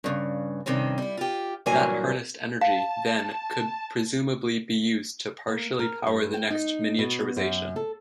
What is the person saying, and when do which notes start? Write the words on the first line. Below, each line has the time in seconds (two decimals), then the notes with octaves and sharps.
That harnessed energy, then, could presumably be used to partially power the next miniaturization.
0.04 G2 C#3
0.66 G2 C3 D#3 C4 C#4
0.98 G3 E4
1.17 F4 G4
1.66 G2 A#2 E3 F#3 A#3 G#5
2.61 F5 A5
5.48 A#3
5.79 A#4
6.07 G2
6.34 G5
6.50 D#4
6.99 B2
7.37 F#2
7.76 A4